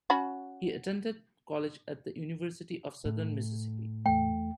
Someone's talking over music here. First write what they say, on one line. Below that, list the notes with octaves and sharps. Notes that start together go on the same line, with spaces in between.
He attended college at The University of Southern Mississippi.
C#4 F#4 B5
A2
E2 A3 G5